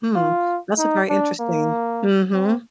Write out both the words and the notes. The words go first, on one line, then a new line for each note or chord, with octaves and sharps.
Hmm, that's a very interesting mhm.
F4
D#4
D4
A#3
C4